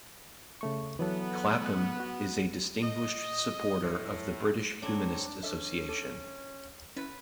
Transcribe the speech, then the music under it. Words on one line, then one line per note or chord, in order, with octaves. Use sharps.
Clapham is a Distinguished Supporter of the British Humanist Association.
C#3 A3 C#6
E3 F#3 B3 A4
F#4
D#5
A2
A3 C4 D4 C#5 A#5 G#6
C#4 A4 D#5 E5
A4 D6
C#4 E4 B4 A6